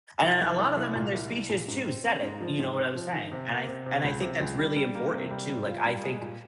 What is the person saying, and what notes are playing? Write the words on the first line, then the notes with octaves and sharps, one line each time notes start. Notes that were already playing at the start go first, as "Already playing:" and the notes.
And a lot of them in their speeches too said it, you know what I was saying, and I and I think that's really important too, like I think
C2
C2
C2
C2
A#2
C2
C2
A#2
G#2
C4
C4
G#2
F3
G#2
C4
F3
D#3
C3
A#3
C3
C3
C#2
C3
C#2
G3
G3
A#3
C3
G3
G3
F4
G3
G#3
A#2